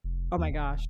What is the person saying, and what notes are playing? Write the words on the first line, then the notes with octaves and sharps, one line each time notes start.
Oh my gosh.
F1
D#2
D#1